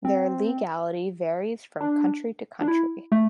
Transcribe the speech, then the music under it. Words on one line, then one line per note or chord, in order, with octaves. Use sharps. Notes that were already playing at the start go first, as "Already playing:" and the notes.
Their legality varies from country to country.
C4
D4
D4
E4
A3